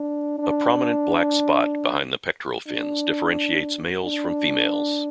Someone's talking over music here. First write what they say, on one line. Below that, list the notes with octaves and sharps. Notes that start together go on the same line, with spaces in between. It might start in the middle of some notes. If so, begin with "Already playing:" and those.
A prominent black spot behind the pectoral fins differentiates males from females.
Already playing: D4
D4
D4
D4